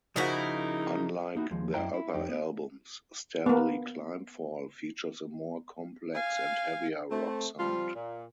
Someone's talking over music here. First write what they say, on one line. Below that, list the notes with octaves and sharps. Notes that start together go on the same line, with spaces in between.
Unlike their other albums, "Stanley Climbfall" features a more complex and heavier rock sound.
C#3 F3 D#4 E4 F#4 A#4
A#3 D#4 E4 F#4
D#2 F3 G#3
F#2 E4 G5 A#5
E4
F2 D#4 G4
B3
A#3 B3
F5 G#5
A3 C4
F3 G3 C4 F4
A#2